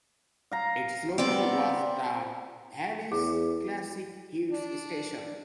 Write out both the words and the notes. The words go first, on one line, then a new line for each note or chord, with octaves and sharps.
Its slogan was The Valley's Classic Hits Station.
F5 A#5
B3 C4 D5
E2 G#4
D4